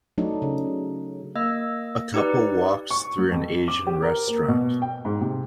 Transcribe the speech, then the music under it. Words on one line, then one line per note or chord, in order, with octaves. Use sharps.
A couple walks through an Asian restaurant.
F#3 A3 D4 D#4
C#3
A#3 D#5 E6
D#4 G4 B4 D5
C#6
F#3
F2
D6
G4
A#4
A#3
B2
G5
G#2
C3